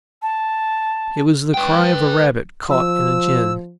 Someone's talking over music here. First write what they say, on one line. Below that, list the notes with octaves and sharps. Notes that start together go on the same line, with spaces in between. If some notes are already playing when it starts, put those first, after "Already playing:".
It was the cry of a rabbit caught in a gin.
A5
B4 G5
F3 E6